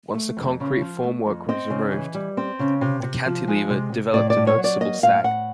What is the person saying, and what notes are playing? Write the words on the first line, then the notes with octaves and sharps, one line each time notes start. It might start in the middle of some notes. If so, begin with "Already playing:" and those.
Once the concrete formwork was removed, the cantilever developed a noticeable sag.
A3
F2
C#3
F3
A3
F2
C4 D#5
C#3
E3
G3
C4
C#3
C3
C3
F3
G#3
C3
C3
A2 D5
D5
A2
C#5
F#3
D5
A#3 D#5
A2 F5
A2 F#5